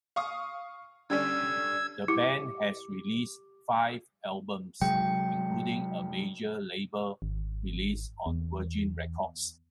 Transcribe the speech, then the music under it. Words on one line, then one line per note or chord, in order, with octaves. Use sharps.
The band has released five albums including a major label release on Virgin Records.
F5 C#6 D#6
D3 G3 C#4 E6 G#6
E4 G4 D6
C3 F#3 G#3 G5
G#1
E2